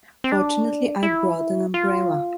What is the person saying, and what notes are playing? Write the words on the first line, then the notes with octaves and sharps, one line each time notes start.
Fortunately I brought an umbrella.
C4
D4
E4
F4